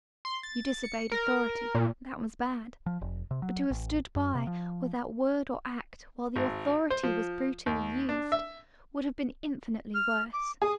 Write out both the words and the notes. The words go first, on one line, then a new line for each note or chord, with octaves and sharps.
You disobeyed authority--that was bad; but to have stood by, without word or act, while the authority was brutally used, would have been infinitely worse.
C6
A6
C#7
A#4
A#2
F3
F1
C3
F#3
A1
F#2
C3
F3
G#1
C5
F3
D#2
D4
E5
F6
D6
G#4 D#6